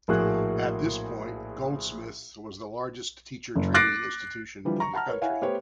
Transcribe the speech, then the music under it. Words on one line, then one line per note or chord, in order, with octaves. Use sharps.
At this point Goldsmiths was the largest teacher training institution in the country.
A#1 A2 A#3 F#4 G#4 F#6
F#1
D6 F#6 A6 A#6 C7 D7
D3 E3 F3 G3 B4
A#5 C#6
F#5 A5 A#5 F6
A#4 B4 C#5
E4 C#5 F5 F#5 G#5
A3 B3 G4 C5 C#5